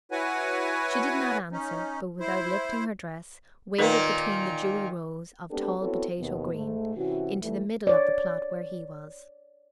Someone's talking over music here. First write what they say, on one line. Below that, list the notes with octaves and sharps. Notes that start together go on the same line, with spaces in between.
She did not answer, but, without lifting her dress, waded between the dewy rows of tall potato-green into the middle of the plot where he was.
E4 F#4 B4 C#5 F#5 G#5
C#4 D#4
E4 C5
A#2 D#3 A#3 D#4 A#4 B4
G#3 B3 C4 D4 G4 A4
B3 C4 E4 F#4 A4 C#5
D#2 B2 B3
G#2 A3
C3 E3 C#4 E4 F#4
F2 E3 G3 A3
C#5 D5